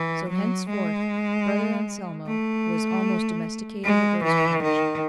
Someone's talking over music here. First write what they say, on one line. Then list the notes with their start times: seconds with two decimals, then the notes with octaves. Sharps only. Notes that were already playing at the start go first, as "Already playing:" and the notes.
So henceforward "Brother Anselmo" was almost domesticated at Rose Cottage.
Already playing: E3
0.30 F#3
0.69 G#3
2.27 A3
3.84 G#3
4.24 E3
4.63 D#3